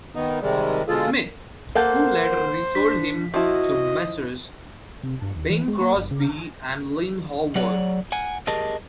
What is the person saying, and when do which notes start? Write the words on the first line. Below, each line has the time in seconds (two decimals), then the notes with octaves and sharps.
Smith, who later resold him to Messrs. Bing Crosby and Lin Howard.
0.15 D#3 B3 D#4
0.41 C3 D#3 G3 G#3
0.88 B2 D3 G#3 F4 G#4 A4
1.75 A#3 A4 A#4 C5 F#5 G6
2.75 D4 B6
3.34 F3 E4 F#4 D#5
5.03 C3
5.22 G2
5.36 D#2
5.50 E3
5.68 G#3
5.81 A#3
5.96 G1
6.11 C#3
7.55 F#3 G#4 C#5 D5 F#5
8.12 F#5 G#5
8.47 G4 G#4 A#4 D#5 A5